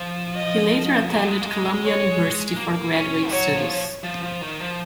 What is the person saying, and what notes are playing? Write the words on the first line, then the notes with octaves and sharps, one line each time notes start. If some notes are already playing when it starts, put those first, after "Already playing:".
He later attended Columbia University for graduate studies.
Already playing: F3
D#5
F#3
F#3
G#3
A#3
G#3
G#3
C#5
A#3
C#4
F#3 C#5
F3
F3
F3
D#3
F3